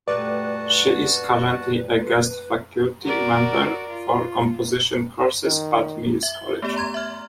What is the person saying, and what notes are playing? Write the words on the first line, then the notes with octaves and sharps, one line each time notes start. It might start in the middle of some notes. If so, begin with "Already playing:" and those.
She is currently a guest faculty member for composition courses at Mills College.
A#2 G3 A3 F#4 B4 D5 F#5 A5
F#4 A#4 D5
F4
D#3
E5
G7
A3 B3 G4 D5
A#5 C6 G#6
E5 F6